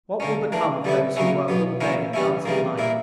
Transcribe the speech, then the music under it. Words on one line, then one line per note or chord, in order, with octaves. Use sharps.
What will become of those who work all day and dance all night?
D3 A#3 C#4
E3 A#3 D4
D3 G3 B3 E4
C#3 F#3 A#3 C#4 E4
B2 F#3 B3
E3 A#3 C#4 E4
E3 G3 C#4 E4
C#3 E3 G3 A#3
A#2 A#3 E4